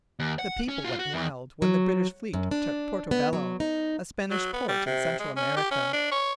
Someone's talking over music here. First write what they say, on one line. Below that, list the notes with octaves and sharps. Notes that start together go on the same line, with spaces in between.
The people went wild when the British fleet took Porto Bello, a Spanish port in Central America.
D#2
F#5
C#4
F4 F#4
F#4
E2
F#3
F#2
D4
B3
F#3
D#4
F#3
B3
G3
C3
G#3
C#4
G4
C#4
D4
C#5